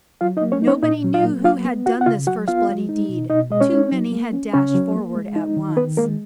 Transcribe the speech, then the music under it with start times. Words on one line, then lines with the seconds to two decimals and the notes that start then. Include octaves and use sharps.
Nobody knew who had done this first bloody deed; too many had dashed forward at once.
0.21 F#3 F4 F5
0.37 D#4 D#5
0.42 A#3
0.52 C#4 C#5
0.62 D#4
0.67 C#4 C#5
0.83 A#2 D#4 D#5
1.04 F#3
1.14 F4 F5
1.24 A#3
1.44 F#3 F4 F5
1.65 B3
1.86 F4 F#4 F#5
2.01 F#5
2.06 C#3 F4 F5
2.27 F#3 F#4 F#5
2.48 B3 F4 F5
2.69 G#3
2.89 D#4
3.09 B2
3.30 B2 D#4 D#5
3.50 G#3 D#5
3.61 C#4 C#5
3.71 D#4
3.92 F#3
4.12 A#3
4.33 C#4
4.53 C#3 C#4 C#5
4.74 F#3
4.96 A#3
5.16 G#3
5.36 D#4
5.57 D#3
5.77 D#3 B3 B4
5.97 G#3 A#3 A#4